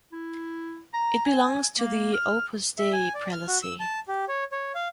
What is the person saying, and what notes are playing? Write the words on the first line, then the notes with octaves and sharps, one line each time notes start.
It belongs to the Opus Dei prelacy.
E4
A#5
G#5
A#3
F6
E5
G#5
D5
F6
F#4
E6
A5
G4
C#5
C#5
F5